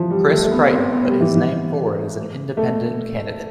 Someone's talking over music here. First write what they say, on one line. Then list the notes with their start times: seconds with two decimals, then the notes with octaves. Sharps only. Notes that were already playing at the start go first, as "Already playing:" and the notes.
Chris Creighton put his name forward as an independent candidate.
Already playing: E3 F3
0.10 G3
0.31 A3
0.44 A3
0.51 B3
0.72 C4
0.93 B3
1.06 G3
1.20 E3
1.34 E3
2.57 A3